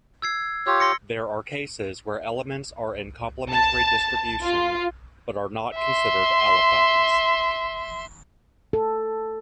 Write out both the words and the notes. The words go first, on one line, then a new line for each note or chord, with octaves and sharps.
There are cases where elements are in complementary distribution, but are not considered allophones.
E6 G#6 C7
F4 G4 C#5 E6
C6 A#6 C#7
A5
F4
E5 C6
A4